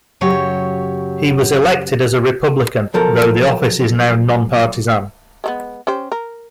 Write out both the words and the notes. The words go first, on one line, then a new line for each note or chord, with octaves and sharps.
He was elected as a Republican, though the office is now nonpartisan.
F#2 C#3 F#3 G4 C#5
B1 F3 A4 A#4
G#3 A3 B3
C#4 G4 C5
A#4